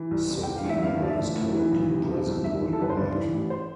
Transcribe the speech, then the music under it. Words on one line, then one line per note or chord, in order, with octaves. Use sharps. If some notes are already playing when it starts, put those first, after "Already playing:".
Sovena is currently present worldwide.
Already playing: E3
C2
C3
G5
G3
F5
E2 E5
E5
G2 F5
F3 D5
E5
A1
A2
E3
B1
C3
F3
C2
G2 E5
E3
A4
G1 B4
C5
G2 D5
E3
A1
C5